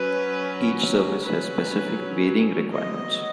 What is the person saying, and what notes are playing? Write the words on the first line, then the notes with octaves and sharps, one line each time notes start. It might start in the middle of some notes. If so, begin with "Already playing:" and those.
Each service has specific varying requirements.
Already playing: F#3 C#4 B4
F#3 C#4 B4
F#3 B3 D#5